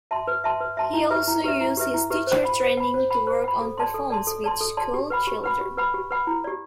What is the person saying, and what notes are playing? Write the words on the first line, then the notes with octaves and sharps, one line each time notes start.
He also used his teacher training to work on performances with schoolchildren.
E5 A5 C6
B4
E5 A5 C6
B4
E5 A5 C6
E4
G4 B4 E5
E4
G4 B4 E5
E4
G4 B4 E5
E4
G4 B4 E5
C5
F#5 B5
C5
F#5 B5
C5
F#5 B5
C5
F#5 B5
A4
D5 A5 C6
A4
D5 A5 C6
A4
D5 A5 C6
A4
D5 A5 C6
G4
B4 F#5 B5
G4
B4 F#5 B5
G4
B4 F#5 B5
G4
B4 F#5 B5
E4
G4 D5